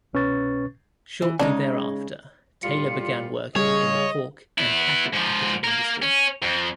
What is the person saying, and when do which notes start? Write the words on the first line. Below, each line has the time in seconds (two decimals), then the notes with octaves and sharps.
Shortly thereafter, Taylor began working in the pork and cattle packaging industry.
0.13 C2 B2 C#4 B4 C#6 A6
1.22 E3
1.39 C#3 G#3 D4 D#4
2.63 A2 G3 F4 C#7
3.56 C#3 G3 G#4 C#5 D#5
4.58 B3 E4
5.13 G#2 F3
5.64 A#3 A#4
6.02 C#4
6.42 F2